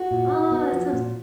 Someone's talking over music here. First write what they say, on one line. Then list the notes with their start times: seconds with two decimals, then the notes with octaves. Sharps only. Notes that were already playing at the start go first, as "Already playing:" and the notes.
Oh, that sounds
Already playing: F#4
0.11 A#2
0.32 A#2
0.52 B3
0.72 F3
0.93 A#2